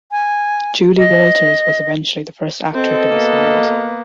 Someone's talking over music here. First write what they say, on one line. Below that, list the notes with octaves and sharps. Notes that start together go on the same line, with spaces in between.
Julie Walters was eventually the first actor to be signed.
G#5
D#5
B2 C4 A4 D#5
A#3 B3